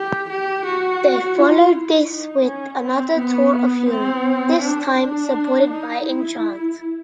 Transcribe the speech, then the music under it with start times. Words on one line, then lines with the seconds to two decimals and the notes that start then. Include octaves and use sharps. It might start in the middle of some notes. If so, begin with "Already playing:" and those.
They followed this with another tour of Europe, this time supported by Enchant.
Already playing: G4
0.30 G4
0.66 F#4
1.38 F4
1.74 E4
2.10 D#4
2.46 C#4
2.82 C4
3.18 B3
3.90 C4
4.62 D4
4.98 D4
5.70 D#4
6.06 E4